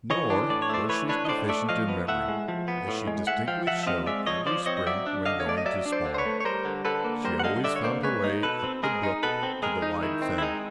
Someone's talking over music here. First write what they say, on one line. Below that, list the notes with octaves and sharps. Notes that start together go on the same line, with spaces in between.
Nor was she deficient in memory, as she distinctly showed every spring when going to spawn; she always found her way up the brook to the wide fen.
E3 C#5 D#5
D4
A2 D5
C#5
A3 C5 D5
E3 B4 C#5
D4 B4 C#5
D#5
A2 C5 D5
A3 D5 E5
F3 D#5 F5
B3
A2 E5 F#5
G#3
F3
B3
A2
G#3
G#3 E5 F#5
F3 F5 G5
F3 E5 F#5
E5
C4 D#5 F5
G#3 D5 E5
F3 C#5 D#5
F3 C5 D5
C4 C#5 D#5
D#5
F#3 D5 E5
D4
D3 D#5 F5
C#5
A3 D5
D#5
F#3 D5 E5
D4
C5 D5
D3
C5
B4 C#5
A3
C#5
G3 A#4 C5
D3
D3 A4 B4
A#3
G3 A#4 C5
F#5
D3 D#5 F5
D3 D5 E5
C#5
A#3 C5 D5
G#3 B4 C#5
D#4
B2 A4 B4
C4
G#3 G#4 A#4
D#4
B2 A4 B4
C4
G#3 G#4 A#4
D#4
D#3 E4
C4
E4
G#3 D#4